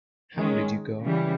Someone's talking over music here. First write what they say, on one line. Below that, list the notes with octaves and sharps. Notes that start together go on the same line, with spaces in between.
How did you go?
D#3 G#3 C#4
C#3 E3 G3